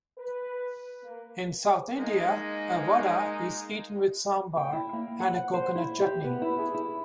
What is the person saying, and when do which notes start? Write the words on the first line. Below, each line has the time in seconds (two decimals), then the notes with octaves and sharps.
In South India, a vada is eaten with "sambar" and a coconut chutney.
0.17 B4
1.03 A#3
1.97 G#3 A#3 D#4
4.57 G5
4.73 E4
4.93 A#3
5.20 F#5
5.54 C5
5.75 E4
6.00 G4
6.24 B3
6.42 E4
6.59 G#4
6.74 E4